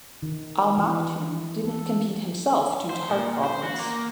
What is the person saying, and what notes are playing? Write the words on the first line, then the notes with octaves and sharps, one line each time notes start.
Al Maktoum didn't compete himself due to heart problems.
D#3
E3
A4
C5
A#2
C5
F#4
A#3